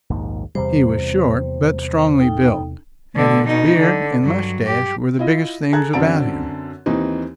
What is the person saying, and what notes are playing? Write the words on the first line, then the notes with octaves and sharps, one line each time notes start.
He was short but strongly built, and his beard and mustache were the biggest things about him.
A#1 D#2 G#2
E2 C3 G3 C5
D#4 A4 G5
A2 D3
B2 D#4
D3
G2 F#3
G4
E4 F4 D#5
G#4 A4 A5 A#5 F#6 G#6
F#2 D3 C4 D4 A5 D7
D#2 E3 C4 D#4